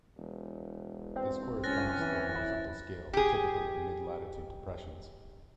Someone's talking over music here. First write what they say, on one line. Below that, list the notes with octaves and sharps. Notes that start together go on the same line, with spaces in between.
This corresponds to the horizontal scale typical of mid-latitude depressions.
E1
C4
C#2 C#4 F#6 A6 A#6
E3
E4
G4 G#4